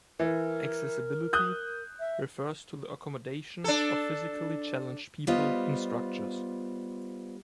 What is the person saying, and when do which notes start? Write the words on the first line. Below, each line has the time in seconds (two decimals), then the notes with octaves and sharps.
"Accessibility" refers to the accommodation of physically challenged people in structures.
0.19 E3 A#4
1.33 D#6 F#6 G6
2.00 E5
3.64 D4 A4
5.27 G3 B3 F4 C5 D#5